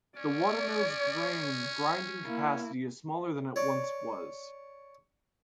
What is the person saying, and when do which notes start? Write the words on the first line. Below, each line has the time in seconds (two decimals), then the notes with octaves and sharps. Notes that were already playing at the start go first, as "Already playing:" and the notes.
The watermill’s grain grinding capacity is smaller than it once was.
0.18 C#4 D5
2.26 A#3 E4
3.56 C#5 D5